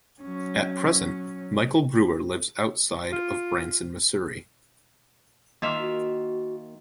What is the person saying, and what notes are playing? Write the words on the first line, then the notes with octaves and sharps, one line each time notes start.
At present, Michael Brewer lives outside of Branson, Missouri.
F#3 C#4
F4
D#3 A#3 F4 E5
F#4